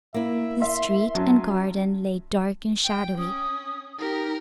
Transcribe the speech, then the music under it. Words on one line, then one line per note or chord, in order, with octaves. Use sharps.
The street and garden lay dark and shadowy.
A#3 E4 E5
E5 C6
F#3 C#4 A5
G5
C#4 D#6
D#4 G4 A#4